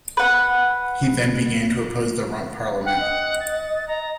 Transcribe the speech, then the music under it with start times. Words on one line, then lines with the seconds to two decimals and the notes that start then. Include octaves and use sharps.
He then began to oppose the Rump Parliament.
0.17 B4 F#5
2.86 F#5 G5
3.01 D#5
3.40 A6
3.88 A#5